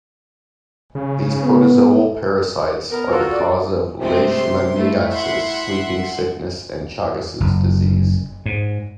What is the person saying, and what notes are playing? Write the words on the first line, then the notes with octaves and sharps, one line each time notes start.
These protozoal parasites are the cause of leishmaniasis, sleeping sickness and Chagas' disease.
C#3
B3
B3 A#4
F4 F#4 A4
D5
C3 G#3 A3 C4
C6
A3 E4
E5 F#5 C6
F#1
G#2